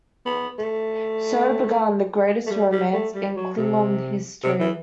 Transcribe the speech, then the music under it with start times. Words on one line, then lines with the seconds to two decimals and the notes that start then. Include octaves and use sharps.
So began the greatest romance in Klingon history.
0.25 B3
0.58 A3
2.46 A3
2.51 G3
2.72 G3
2.93 A3
3.15 G3
3.36 F#3
3.58 C3
4.43 C3
4.60 E3